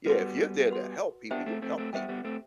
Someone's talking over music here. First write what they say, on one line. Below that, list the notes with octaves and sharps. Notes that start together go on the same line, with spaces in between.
yeah, if you're there to help people, you help people.
G3 B3 F#4 B4 F#5 C6
F#4 B4 F#5 C6
B3 D4 G4 C5 E5 G5
A3 C4
A3 C4
A3 C4
G3 B3 G4 C5 E5 G5
G3 B3
A3 C4